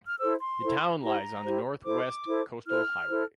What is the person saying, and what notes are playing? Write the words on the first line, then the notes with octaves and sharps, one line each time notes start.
The town lies on the North West Coastal Highway.
F6
E4 A4 C5 E6
C6
E4 A4 C5
E4 G4 C5 A#5
E4 G4 C5
E4 A4 C5 D6
E4 A4 C5
E4 A4 C5 F6
E4 A4 C5